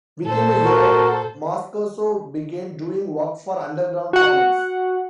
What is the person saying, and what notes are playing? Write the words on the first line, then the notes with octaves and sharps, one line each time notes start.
Within a year, Moscoso began doing work for underground comix.
A#2 A4 C5
F#4 A#4
F#4 F#5